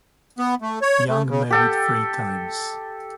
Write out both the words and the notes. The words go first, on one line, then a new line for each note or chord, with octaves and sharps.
Young married three times.
B3
A3
C#5
A3
C#3
G4 A4 G5